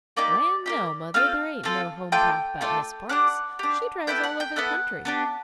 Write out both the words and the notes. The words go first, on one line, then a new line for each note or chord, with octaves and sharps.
"Land, no, mother; there ain't no home'path 'bout Miss Parks--she drives all over the country."
A#3 D#4 G4 D5 D6
A#3 D#4 G4
C4 F4 A4 F5 F6
C4 F4 A4
A3 D4 F4 A4 G5 G6
A3 D4 F4 A4
D4 G4 F#5 F#6
D4 G4
B3 E4 A4 G5 G6
F#5 F#6
G5 G6
B3 E4 A4 F#5 F#6
B3 D4 G4